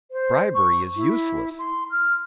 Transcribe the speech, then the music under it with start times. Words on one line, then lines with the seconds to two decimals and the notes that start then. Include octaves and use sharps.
Bribery is useless!
0.11 C5
0.54 C#6
0.97 E4
1.58 C6
1.90 F6